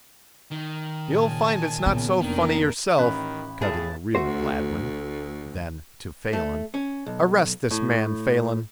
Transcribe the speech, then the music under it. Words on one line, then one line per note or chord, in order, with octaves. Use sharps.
"You'll find it's not so funny yourself," cut in the real Gladwin. Then to Phelan, "Arrest this man, Phelan."
D#3
A#2 C#3 G#5 A5
A#2 C#3 B3
F1 D#3 A#3 D4 A#4
A1 D#3 B5 F#6
A2 E4 G#4 F5 A5
D2 A3 F#4 C5
A3
C#4
B1
A2